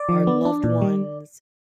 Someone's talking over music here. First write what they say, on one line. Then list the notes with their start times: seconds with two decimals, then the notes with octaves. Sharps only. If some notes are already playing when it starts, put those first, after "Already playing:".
our loved ones
Already playing: D5
0.09 F3
0.27 B3
0.45 D4
0.64 A#2
0.82 G3